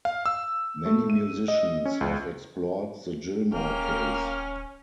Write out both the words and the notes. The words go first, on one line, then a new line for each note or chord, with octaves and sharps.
Many musicians have explored the Gilmore case.
F5
E6
A3
D#7
D#5
C#4
C#2
D#1 A#3 C#4 G5 F6